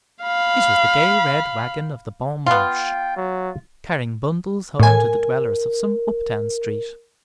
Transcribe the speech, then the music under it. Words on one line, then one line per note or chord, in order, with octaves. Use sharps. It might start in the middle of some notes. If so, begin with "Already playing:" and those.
It was the gay red wagon of the Bon Marche, carrying bundles home to the dwellers of some up-town street.
F5 B5
B3 F4 F5 G5
F#3
A2 A#4 G#5